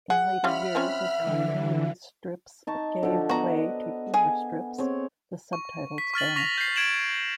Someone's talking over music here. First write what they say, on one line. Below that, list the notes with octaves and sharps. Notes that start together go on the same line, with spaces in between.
In later years, as continuity strips gave way to humor strips, the subtitles vanished.
G#4 F#5
G3 C#4 F4 E5 B5 F6
F3 C4 C#4
D3 E3
D#4 A5 C#6
D3 F3
B3 F#4 D#5 A#5
G#4
C4 G#4 C#5
C#6
B6
C#6 F6 A6 F#7
C#6 A#6 B6 F7
G6 C7
G#6 D7 E7 F#7